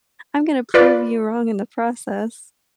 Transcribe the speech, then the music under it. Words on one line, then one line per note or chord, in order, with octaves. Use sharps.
I'm gonna prove you wrong in the process."
F4 B4 D5